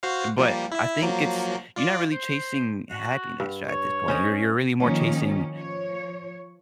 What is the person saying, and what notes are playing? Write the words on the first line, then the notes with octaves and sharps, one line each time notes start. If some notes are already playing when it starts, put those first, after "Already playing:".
But I think it's you're not really chasing happiness right at this point. You're you're really more chasing,
F#4 C5 F5
F3 G3 A#3
E4 E5
F3 F#3 A#3
F4 D5
C5
F#4
G2
C#5
C#4 C5 D#5
D#3 F3 A#3 C#4
F3 C#5